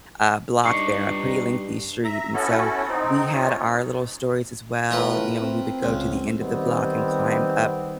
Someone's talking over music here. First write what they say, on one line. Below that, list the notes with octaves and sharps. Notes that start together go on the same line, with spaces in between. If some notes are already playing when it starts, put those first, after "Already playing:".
uh, block there, a pretty lengthy street, and so we had our little stories as well, you know, when we would go to the end of the block and climb up,
G2 D#4 D5 C#6 C7 C#7
E5 A#5
B3 C#4 E4 F#4 A4
C4 D#4
C#4 D#4 F4 C#5
A2 F4 A#4 B4
C4
C#2
D#3 G3 B3 C4